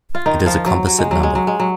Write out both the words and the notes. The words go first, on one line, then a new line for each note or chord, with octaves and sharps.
It is a composite number.
F4
D#3 D#4
F3 F4
F#3
F#3
G#3
F#3
G#3
F#3
G#3
F#3